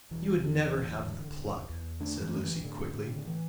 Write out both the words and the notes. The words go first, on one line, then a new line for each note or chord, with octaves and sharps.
"You would never have the pluck," said Lucy, quickly.
E1 E3
E2
D3
D3
E1
E2
D3 A3 D4
E3 A3
D3
E3
A2 D3
A2
D3
E3